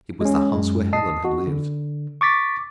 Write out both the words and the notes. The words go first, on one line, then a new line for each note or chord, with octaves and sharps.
It was the house where Helen had lived.
G#3 C#4
F#2 G#3
D#5 A5 D#6 C7
F#4
D3
C#6 D6 A6 B6